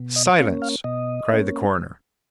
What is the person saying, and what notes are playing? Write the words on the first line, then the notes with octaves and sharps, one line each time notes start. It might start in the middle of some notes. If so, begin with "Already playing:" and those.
"Silence!" cried the coroner.
Already playing: B2
D#5
A#3 C#4 F5
F5
B2 D#5
A#3 C#4